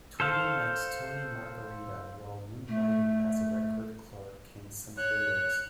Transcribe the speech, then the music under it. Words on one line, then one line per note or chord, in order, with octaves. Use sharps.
Tweedy met Tony Margherita while moonlighting as a record clerk in St. Louis.
A4 C5 F5
A3
C#5 F#6